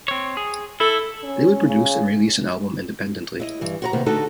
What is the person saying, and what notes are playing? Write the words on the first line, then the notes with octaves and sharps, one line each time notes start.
They would produce and release an album independently.
C4 C#5
G#4
E4 A4
C#4
C#3
E4 D#5
G2 E3
F#4 C5 A#5
C3 D#3 A#3 B3
D3 A3 D#4 F#4 A4